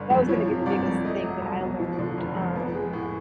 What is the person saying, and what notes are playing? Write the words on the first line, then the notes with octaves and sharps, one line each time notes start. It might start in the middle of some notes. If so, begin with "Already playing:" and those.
that was gonna be the biggest thing that I learned, um
Already playing: G1 D3 B4
F2
F3 C#5
C3
G1 D5
F2
A3 D#5
F#3
C2
B2
F3
D3
F1
F2
B3
G#3
A2